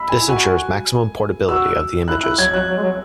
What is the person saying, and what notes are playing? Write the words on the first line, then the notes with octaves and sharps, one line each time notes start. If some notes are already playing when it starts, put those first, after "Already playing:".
This ensures maximum portability of the images.
Already playing: B5 E6
G#5
E4
F#4 G#5
F#4 E6
E4 F#6
E4 F#6
F#3 G#6
F#3 F#6
F#3
G#3
F#3